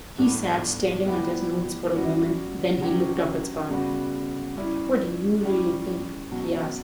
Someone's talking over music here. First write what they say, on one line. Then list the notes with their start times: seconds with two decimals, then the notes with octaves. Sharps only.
He sat staring at his notes for a moment; then he looked up at Spargo. "What do you really think?" he asked.
0.18 A2 G3 B3 D4
1.06 G3 B3 E4 G4
1.94 G3 C#4 F#4
2.81 D3 F#3 C#4 G4
3.69 C#3 G3 B3 F#4
4.57 G3 C#4 E4
5.43 G3 C#4 E4 G4
6.31 B2 F#3 C#4